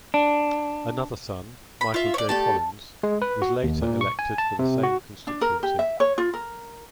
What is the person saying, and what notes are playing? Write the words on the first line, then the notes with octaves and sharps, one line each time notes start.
Another son, Michael J. Collins was later elected for the same constituency.
D4
B5
F4 E5
C#5 D5
A3 G4 A4 A5
G#3
B4
F#4
D#2
A#2
C#6
G#5
A5
C3
F#4
D4
A#4
G4
E5
C#5
F4
A#4